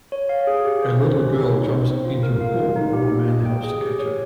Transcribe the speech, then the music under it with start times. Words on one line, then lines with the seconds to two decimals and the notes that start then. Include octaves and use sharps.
A little girl jumps into a pool while a man helps to catch her.
0.12 C#5
0.29 F5
0.47 G#4
0.65 G4
0.82 C5
1.00 C#4
1.18 G4
1.35 C#5
1.53 D#4
1.70 C5
1.88 G5
2.05 F4
2.23 A#4
2.41 F5
2.58 F4
2.76 D#4
2.93 G4
3.11 A#3
3.28 D#5
3.46 G5
3.63 G#4
3.81 G4
3.99 C#5